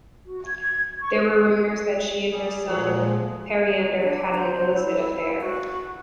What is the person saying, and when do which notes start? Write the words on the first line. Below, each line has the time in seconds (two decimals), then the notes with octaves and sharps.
There were rumors that she and her son Periander had an illicit affair.
0.25 F#4
0.45 G#6
0.99 C#6
2.33 G3 G#4
2.67 D2 A#2 F3 G#3
4.03 D4
4.35 C5
4.74 E4
5.41 F#4